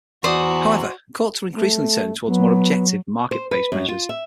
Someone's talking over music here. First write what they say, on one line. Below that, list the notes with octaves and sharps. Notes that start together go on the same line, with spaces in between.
However, courts are increasingly turning toward more objective, market-based measures.
E2 F#4 C5 D5 D#6
A3
F#3 B3
C5
B4
F#2
F4
E5